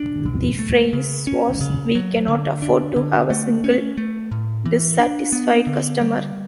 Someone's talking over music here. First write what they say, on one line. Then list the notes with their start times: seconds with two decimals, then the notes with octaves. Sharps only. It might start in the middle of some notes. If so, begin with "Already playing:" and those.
The phrase was, "We Cannot Afford To Have A Single Dissatisfied Customer".
Already playing: D4
0.26 B2
0.59 A3
0.93 C#3
1.27 C#4
1.61 C#3
1.95 F#3
2.28 D3
2.62 D4
2.96 D3
3.30 A3
3.64 C#4
3.98 A3
4.31 A2
4.65 E3
4.99 D4
5.32 B3
5.67 D3
6.01 G3